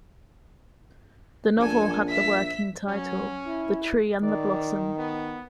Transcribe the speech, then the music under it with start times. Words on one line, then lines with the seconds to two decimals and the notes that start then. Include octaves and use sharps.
The novel had the working title "The Tree and the Blossom".
1.58 A#1 A4 G#5
2.09 E5 B6
2.88 F#3 C#4
3.46 E4
4.23 D#3 D5
4.98 B3